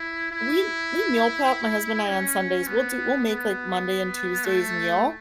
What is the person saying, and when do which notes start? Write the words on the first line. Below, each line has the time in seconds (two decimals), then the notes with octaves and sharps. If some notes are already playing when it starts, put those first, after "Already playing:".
we we meal prep, my husband and I, on Sundays we'll do we'll make, like, Monday and Tuesday's meal,
Already playing: E4
0.32 E4
2.09 C#4
2.67 B3
3.26 B3
4.45 A3